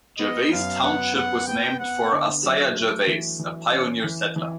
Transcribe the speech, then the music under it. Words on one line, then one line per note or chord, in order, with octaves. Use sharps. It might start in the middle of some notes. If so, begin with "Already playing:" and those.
Gervais Township was named for Isiah Gervais, a pioneer settler.
B3 D#5
F#2 F5
B3 F#5
B3 F#5
B3 G5
B3 F#5
D3
F#3
A3
E3
E3
C#4
E3
E3